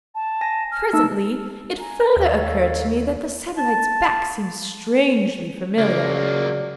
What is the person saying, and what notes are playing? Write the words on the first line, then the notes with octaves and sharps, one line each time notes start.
Presently it further occurred to me that the satellite's back seemed strangely familiar.
A5
G#5 A#6
F6
A3 D#4 A5 E6
G#5 A#5
D#2 A4 C#5 F5
A5
C#2 C#3 F#3 A#3 D5